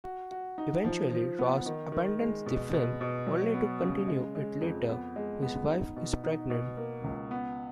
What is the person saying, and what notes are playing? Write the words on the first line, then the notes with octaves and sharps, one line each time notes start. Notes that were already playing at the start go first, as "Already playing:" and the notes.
Eventually Ross abandons the film, only to continue it later: his wife is pregnant.
F#4
F#4
D#4
F3
F3
B3
D#3
D#3
G#3
B2
B2
B2
F#3
B3
C#3
G#3
G#3
F2
B3
G#3
B3
D#4
B2
D#4
B2
A#3
C#2
B3